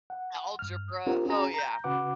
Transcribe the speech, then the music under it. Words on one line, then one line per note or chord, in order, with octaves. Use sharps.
Algebra, oh yeah,
F#5
G2 F6
C4 D4 F4 G4 A#4
C#4 F#4 G#4 A#5
A#5 G6
C#3 F#4 B4 F#5 D6